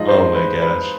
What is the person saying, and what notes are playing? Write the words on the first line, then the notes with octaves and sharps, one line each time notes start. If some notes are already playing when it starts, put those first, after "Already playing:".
Oh my gosh.
Already playing: G#2 F3 G#3 D#5
C5
B4
B4